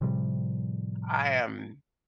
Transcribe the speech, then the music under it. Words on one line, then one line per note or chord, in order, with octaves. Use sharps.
I am
A2 C3 F3 G3